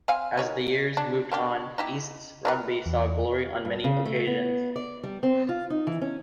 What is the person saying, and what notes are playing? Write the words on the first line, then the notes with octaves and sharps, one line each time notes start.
As the years moved on, Easts Rugby saw glory on many occasions.
C4 F5 G#5
D#3 C#5 D#5
D4
A#3 D4 G4
D#4 E4 G4
E3 A#4 B4
E2
G2
C#3
A3
B3
D5
G3
C4
F4
D#4
E3
C#4